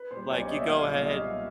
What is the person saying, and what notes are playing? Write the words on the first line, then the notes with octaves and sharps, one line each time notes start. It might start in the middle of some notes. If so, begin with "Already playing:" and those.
Like, you go ahead,
Already playing: B4
A#2 G3 C5
B1 C#5
D5
A#2 G3 D#5
E5
B1 F5
A#2 G3
B1 D#5
A#2 G3